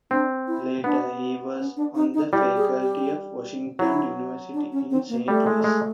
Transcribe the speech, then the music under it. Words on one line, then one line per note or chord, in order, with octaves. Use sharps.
Later he was on the faculty of Washington University in Saint Louis.
C4 D4
E4
B3 D4
C#4
D4
D#4
D#4
G3 E4
G#4
G4
F#3 E4
D4
C#4
C4
A#3
G3 A3
G#3
G#3